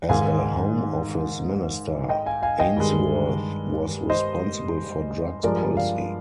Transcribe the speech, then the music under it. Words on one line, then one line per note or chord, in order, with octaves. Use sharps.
As a Home Office minister, Ainsworth was responsible for drugs policy.
G#2 D#3 G#3 F5 G#5
D#5 G5
F5 G#5
F5 G#5
D#5 G5
G2 D#3 G#3
C5 D#5
G2 F3 G#3 A#4 D5
D5 F5